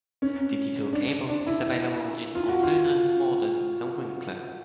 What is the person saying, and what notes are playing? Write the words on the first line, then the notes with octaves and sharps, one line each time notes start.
Digital cable is available in Altona, Morden, and Winkler.
C#4
D4
D4
E4
F4
F#4
F4